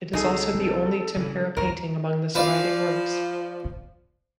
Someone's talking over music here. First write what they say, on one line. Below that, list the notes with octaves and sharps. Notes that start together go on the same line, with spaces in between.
It is also the only tempera painting among the surviving works.
C2 D3 D#4 G#4 A4
G3 C4
C#3 E3
A1 D#2 D#3 A#4
F3 B4 D5 F5